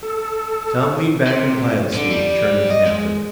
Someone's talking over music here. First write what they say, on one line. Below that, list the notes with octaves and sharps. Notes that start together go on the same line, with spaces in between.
Tom leaned back in the pilot's seat and turned to the captain.
A4
C3
D3
G3
D#5
G#3